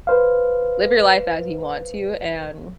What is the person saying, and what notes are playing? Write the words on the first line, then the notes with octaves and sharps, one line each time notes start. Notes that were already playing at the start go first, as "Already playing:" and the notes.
live your life as you want to and
B4 C5 F5